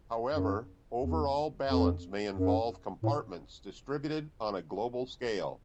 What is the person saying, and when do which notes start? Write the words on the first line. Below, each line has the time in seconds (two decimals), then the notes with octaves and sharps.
However, overall balance may involve compartments distributed on a global scale.
0.33 F#2
1.01 E2
1.68 F2
2.36 F#2
3.03 A2